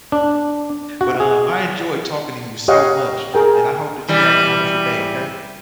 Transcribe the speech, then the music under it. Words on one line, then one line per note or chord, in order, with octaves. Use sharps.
but, um, I enjoyed talking to you so much, and I hope that you have a wonderful day, okay?
D4
F#4
G#4
G4 C#5 D#5 F5 F#5
G#4 A#4 G5
E3 G3